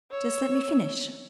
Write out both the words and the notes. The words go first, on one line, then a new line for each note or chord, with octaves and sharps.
"Just let me finish."
C#5 E6